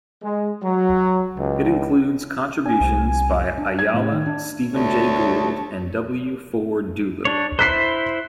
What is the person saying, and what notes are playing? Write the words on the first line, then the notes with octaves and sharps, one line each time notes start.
It includes contributions by Ayala, Stephen Jay Gould, and W. Ford Doolittle.
G#3
F#3
C#2
D4 G#5
C2
D4
G#6
A2
D#3
D4
D2 C#5 A5
D4 C#5
E4 C5 F#6 B6 C7